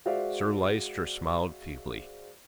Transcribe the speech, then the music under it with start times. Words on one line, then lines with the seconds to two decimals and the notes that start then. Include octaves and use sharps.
Sir Lyster smiled feebly.
0.05 G#3 F#4 C5 D5 E5 F5